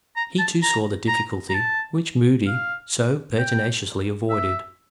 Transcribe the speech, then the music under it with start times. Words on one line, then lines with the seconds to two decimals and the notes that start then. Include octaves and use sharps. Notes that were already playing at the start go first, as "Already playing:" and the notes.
He too saw the difficulty which Moody so pertinaciously avoided.
0.16 A#5
0.39 A5
0.62 A#5
1.08 A#5
1.50 A#5
1.54 A5
2.47 F5
3.38 G5
4.30 E5